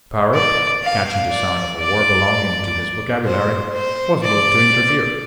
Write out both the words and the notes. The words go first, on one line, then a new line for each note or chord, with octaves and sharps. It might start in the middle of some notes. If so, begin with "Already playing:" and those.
The parrot, catching the sound of a word belonging to his vocabulary, was moved to interfere.
D5
F5
D5
D5
C5
C5
D5